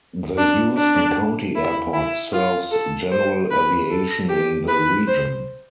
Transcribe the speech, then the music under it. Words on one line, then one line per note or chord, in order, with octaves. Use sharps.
The Houston County Airport serves general aviation in the region.
D4
D4
E4
E4
F4
A4
C5
B4
A4
G4
B4
C5